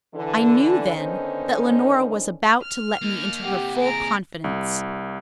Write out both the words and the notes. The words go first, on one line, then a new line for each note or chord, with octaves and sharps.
I knew then that Leonora was about to let me into her full confidence.
D3 E3
D3 D#3 B3 C#4 D#4 C5
F6
A#3 D#4
C3 A#3 G4 F#5
G#4 A#5 D7
C2